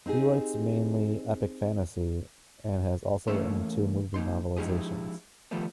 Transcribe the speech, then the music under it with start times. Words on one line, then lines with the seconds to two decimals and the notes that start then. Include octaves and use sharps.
He writes mainly epic fantasy, and has also written two movie novelizations.
0.06 C4 D#4 G4 G#4
3.27 E2 A3 A#3 C#4 E5 C6
4.14 F2 A#3 D#4 C6
4.57 F3 G#3 D#4 E4 G4 G#4
5.51 D#3 F3 G3 A3 B3